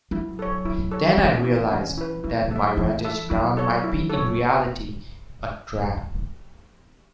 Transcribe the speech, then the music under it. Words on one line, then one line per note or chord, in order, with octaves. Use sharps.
Then I realised that my vantage-ground might be in reality a trap.
F#3 E4
A4 C#5
E4
A4 C#5
E3 C#4
E4 B4
C#4
E4 B4
F#3 E4
A4 E5
E3 E4
A4 E5
F#3 E4
A4 C#5
E4
A4 C#5